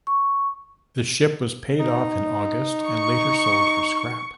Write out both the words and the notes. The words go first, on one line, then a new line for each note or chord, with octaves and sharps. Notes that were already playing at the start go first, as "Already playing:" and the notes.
The ship was paid off in August and later sold for scrap.
C#6
D#4
C#6